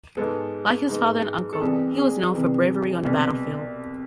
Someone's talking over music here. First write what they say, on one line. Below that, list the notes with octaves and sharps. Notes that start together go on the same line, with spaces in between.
Like his father and uncle, he was known for bravery on the battlefield.
G#2 G#3 B3 A4
G#2 G#3 B3
A4
C2 C3 E3 B3 G#4
G#4
C2 C3 E3 B3
C2 B2 B3